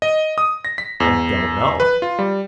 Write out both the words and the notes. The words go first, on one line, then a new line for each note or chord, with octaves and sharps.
"I don't know."
D#5
D#6
A#6
B6
E2
B4
F4
G3